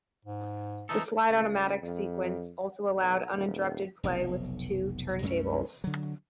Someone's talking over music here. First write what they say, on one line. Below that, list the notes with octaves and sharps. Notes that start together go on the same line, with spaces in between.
The slide-automatic sequence also allowed uninterrupted play with two turntables.
G#2
E3 D#4 A4
C#2
F2
B1
D#1
F1 B1
C2 F#2 A3 C#4
D3 F#3